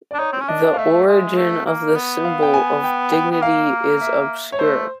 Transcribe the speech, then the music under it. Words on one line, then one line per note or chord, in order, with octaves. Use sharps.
The origin of this symbol of dignity is obscure.
D5
D4
D#4 C#5
C4
C#4
D4 D#5
F5
A3 E5
G#3
A3
A#3
B3
F5
G5
G#5
G5
G5
B3
A#3 F5
E5
C#5
A3 C5